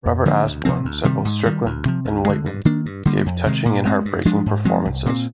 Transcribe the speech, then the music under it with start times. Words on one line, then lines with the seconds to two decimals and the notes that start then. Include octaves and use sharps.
Robert Osborne said both Stricklyn and Wightman gave "touching and heartbreaking performances".
0.06 F2
0.25 D3 F3 A#3
0.46 D2
0.65 C3 F3 C4
0.85 D2
1.05 C3 D#3 G3
1.25 G#2
1.45 D#3 G3
1.66 D2
1.85 C3 F3
2.05 D2
2.25 D3 G#3
2.45 G2
2.65 D#3 A#3 D4
2.86 G2
3.05 D3 G3 A#3
3.26 F2
3.46 C3 D#3 G#3
3.66 A#2
3.85 G#3 C4
4.05 G2
4.25 F3 G#3 D4
4.46 G#2
4.65 F3 G#3 C4
4.85 C2
5.06 A#2 G#3 C4